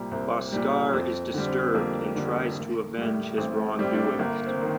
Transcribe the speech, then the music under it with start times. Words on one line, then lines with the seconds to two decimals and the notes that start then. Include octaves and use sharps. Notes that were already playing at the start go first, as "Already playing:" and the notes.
Bhaskar is disturbed and tries to avenge his wrongdoings.
Already playing: C2 A#2 G3 C4
0.11 C2 C4
0.52 A#2 G3
0.93 F2 C4
1.34 D3 G3
1.47 C4
1.74 F2 A#3
2.15 D3 G3
2.56 A1
2.98 A2 G3
3.38 A1 C4
3.78 A2 G3 C4
3.94 D4
4.06 C4
4.19 G1 A#3
4.47 C4
4.61 D#3